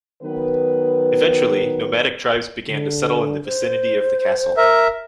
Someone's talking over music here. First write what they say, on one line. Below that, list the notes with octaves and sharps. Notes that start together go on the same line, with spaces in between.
Eventually, nomadic tribes began to settle in the vicinity of the castle.
D#3 F#3 B3 B4
D3
C5
A#4 E5